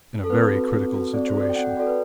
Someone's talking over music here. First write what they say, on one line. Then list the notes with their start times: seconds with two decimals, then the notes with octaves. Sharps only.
In a very critical situation.
0.24 A4
0.30 C4 B4
0.51 F#4 A4
0.72 C4
0.93 F#4 A4
1.13 C4 D5
1.27 C5
1.35 F#4 A4
1.40 D5
1.50 G5
1.56 C4 F#5
1.66 G5
1.77 F#4 A4 D5
1.87 B4